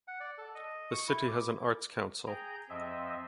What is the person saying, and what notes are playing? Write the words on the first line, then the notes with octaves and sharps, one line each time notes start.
The city has an Arts Council.
F#5
D5
A4
D#5
C#6
E4
D6
G#4 G5 A#5 G6
F2 F3 C4 D#5 E5